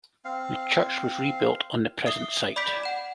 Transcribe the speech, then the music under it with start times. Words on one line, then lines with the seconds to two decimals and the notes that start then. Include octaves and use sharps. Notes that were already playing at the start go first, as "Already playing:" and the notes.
The church was rebuilt on the present site.
0.25 C4 F5
2.06 E5 D#6 C7 G7
2.56 D5 B5 D6 G6 B6 D7
2.83 F#5 E7